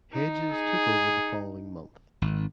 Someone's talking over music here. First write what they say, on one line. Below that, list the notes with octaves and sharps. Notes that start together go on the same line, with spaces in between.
Hedges took over the following month.
D#4
G#4
G#1